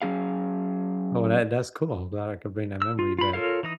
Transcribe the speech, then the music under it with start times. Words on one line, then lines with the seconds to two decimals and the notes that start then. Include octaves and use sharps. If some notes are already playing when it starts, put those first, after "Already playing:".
Oh, that that's cool, glad I could bring that memory back.
0.02 F#3 C#4 G#4 F5
2.82 E6
2.99 F4
3.19 F4 B5
3.33 F4 A4 A#4 C#5 F5
3.63 E3 D#4 D#6